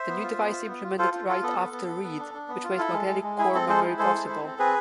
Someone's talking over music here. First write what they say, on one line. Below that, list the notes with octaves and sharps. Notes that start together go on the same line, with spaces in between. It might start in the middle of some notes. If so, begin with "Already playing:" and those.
The new device implemented "write-after-read" which made magnetic core memory possible.
Already playing: C5 E5
B3
F4
B3
F4
B3
F4
F4 A4 C5
F4
F4 A4
B3 A4
B3
B3
B3
B3
D4
D4
B3
F4
E4 A4
G#3
G#3
G#3
E4 G#4
C4 A4
G#3 A4 C5
E4
G#3 A4 C5
E4
E4
C4 A4
C4 G#4 B4